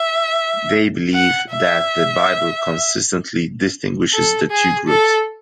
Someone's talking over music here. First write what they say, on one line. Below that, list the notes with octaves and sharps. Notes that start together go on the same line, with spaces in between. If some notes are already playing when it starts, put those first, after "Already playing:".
They believe that the Bible consistently distinguishes the two groups.
Already playing: E5
F#5
E5
A4
G#4
A4